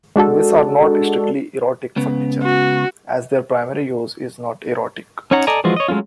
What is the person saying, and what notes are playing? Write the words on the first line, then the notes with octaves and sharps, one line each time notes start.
These are not strictly erotic furniture, as their primary use is not erotic.
G#3 D4 F#4 A4
C#2 C#3 B3
F#4
C#4 D#4 C#5 F#5 A#5
A4 D5 D#5 G#5 A#5
E3 F3 G#3 F4 F#4
C#5 D#5
F#3 G#3 A3 C#4 F4